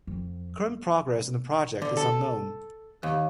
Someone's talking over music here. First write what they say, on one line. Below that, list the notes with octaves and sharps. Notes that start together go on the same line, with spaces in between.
Current progress on the project is unknown.
F2
D3
A4
D#2